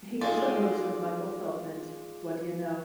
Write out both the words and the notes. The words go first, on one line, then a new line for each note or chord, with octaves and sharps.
He is the host of Michael Feldman's Whad'Ya Know?
A#2 G#3 D#4 F4 A4 D5 G#5